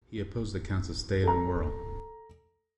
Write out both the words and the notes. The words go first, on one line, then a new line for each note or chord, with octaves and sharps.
He opposed the counts of Stade and Werl.
A4 A#5